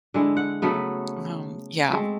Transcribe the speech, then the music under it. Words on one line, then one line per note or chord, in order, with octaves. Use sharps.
Um, yeah.
D3 G#3 E4
F#5
C#3 F#3 A3 B3
G#3 A3 C4